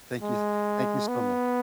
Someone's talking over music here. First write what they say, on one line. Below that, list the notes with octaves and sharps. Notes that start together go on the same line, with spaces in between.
Thank you s thank you so much.
G#3
B3